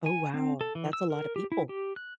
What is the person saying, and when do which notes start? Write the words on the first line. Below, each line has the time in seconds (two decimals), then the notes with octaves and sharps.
Oh, wow, that's a lotta people.
0.06 G#5
0.34 C4
0.61 A4
0.75 E3
0.93 E6
1.10 A#4
1.36 G4
1.52 E4
1.69 G4
1.96 F#6